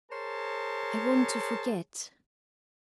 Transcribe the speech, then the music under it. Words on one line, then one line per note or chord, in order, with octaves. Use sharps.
I want to forget.'
G#4 A#4 C5 C#5 A5